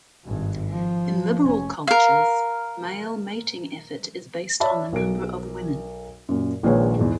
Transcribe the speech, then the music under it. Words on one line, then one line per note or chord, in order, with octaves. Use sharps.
In liberal cultures, male mating effort is based on the number of women.
G#1 G2
F3
F1 C#4
A#4 F5
C#5 D5 E5 A5 B5
B1 A#4 D7
F#2 A#2
A#1 A#2 D#3 G#3 B4 C#5
E2 G#2